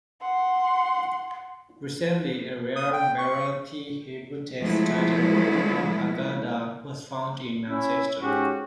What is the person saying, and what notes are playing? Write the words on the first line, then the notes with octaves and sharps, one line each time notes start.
Recently, a rare Marathi-Hebrew text titled "Poona Haggadah", was found in Manchester.
F#5 C6
D#6
G5
C#6
F3 F#3 G#3 A3 B3 E4
C#4 E4
G#2 C#4 F#4 G4